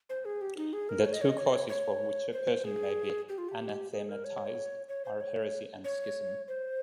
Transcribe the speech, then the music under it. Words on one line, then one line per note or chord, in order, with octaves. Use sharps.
The two causes for which a person may be anathematized are heresy and schism.
C5
G#4
G4
D#4
G#4
A#4
C#5
D#5
C#5
D#5
C#5
D#5
C#5
C#5
C5
G#4
G4
F4
G4
G#4
A#4
C#5
C#5
C5
C#5
C#5
C5